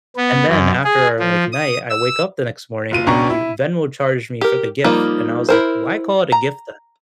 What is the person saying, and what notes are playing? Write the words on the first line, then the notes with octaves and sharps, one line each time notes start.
And then after, like, night, I wake up the next morning and he Venmo charged me for the gift and I was, like, why call it a gift then?
B3
F#2
G#4
F3
D#6
E6
F#1 F4 D#7
C#2 B2 C#4 D4 A#5 C#6
E4
G4 A#4
F3 G3 A#3 D#4 F4
E4 A#4 C5
A#5